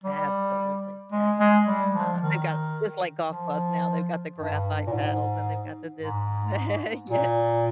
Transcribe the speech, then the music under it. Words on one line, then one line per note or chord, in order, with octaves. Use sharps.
Absolutely, yeah, yeah. Uh, they've got just like golf clubs now, they've got the graphite paddles, and they've got the this, and the yeah, yeah.
G3
G#3
G#3
G3
F3
D#3
F3
G2
A#2
G#2
G#2
A#2